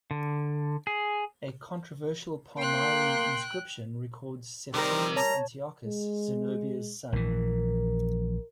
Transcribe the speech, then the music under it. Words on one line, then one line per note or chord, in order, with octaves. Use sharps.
A controversial Palmyrene inscription records Septimius Antiochus, "Zenobia's son".
D3
G#4
A#3 G5 C6 F#6
C3 D#3 G3 C4 A#4
C#5 A5 A#5
G#3
A#1 E3 A#4